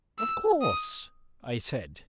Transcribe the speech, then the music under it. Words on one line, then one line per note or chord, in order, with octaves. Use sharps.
"Of course," I said.
E6
D#6